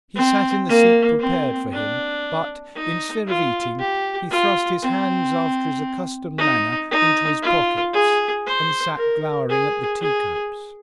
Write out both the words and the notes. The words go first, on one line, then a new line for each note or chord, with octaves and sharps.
He sat in the seat prepared for him, but, instead of eating, he thrust his hands after his accustomed manner into his pockets and sat glowering at the teacups.
C4
A#3
C4
D4
D#4
F4
G4
F4
C4
D#4
D#4
F4
G#4
C5
A#4
G#4
G#4